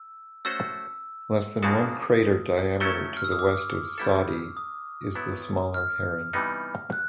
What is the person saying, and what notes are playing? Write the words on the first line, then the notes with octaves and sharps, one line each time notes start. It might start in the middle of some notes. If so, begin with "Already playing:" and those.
Less than one crater diameter to the west of Soddy is the smaller Heron.
Already playing: E6
A3 C#4 F#4 A4 C5 E6
C#3 F3 A#3 D4 F#4 D#6
F#3 A3 C#4 E4 A4 C#6
F6
E6
D#6
D6
G3 B3 E4 A4
D#6
F#3 B3 E4
F6
C3 E3 G3 B3 D#4
F#6